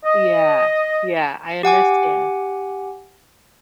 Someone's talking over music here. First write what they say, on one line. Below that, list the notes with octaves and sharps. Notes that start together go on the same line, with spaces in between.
Yeah, yeah, I understand.
D#5
G4 F#5 G#5 D6